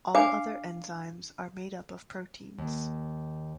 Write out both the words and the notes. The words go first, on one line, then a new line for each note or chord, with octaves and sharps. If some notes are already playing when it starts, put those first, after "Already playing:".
All other enzymes are made up of proteins.
D4 F5 G#5 D6
D#2